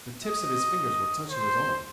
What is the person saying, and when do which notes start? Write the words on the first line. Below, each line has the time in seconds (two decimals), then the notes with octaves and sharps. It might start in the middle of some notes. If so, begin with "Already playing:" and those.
The tips of his fingers were touching his arm.
0.25 D#5
1.30 C5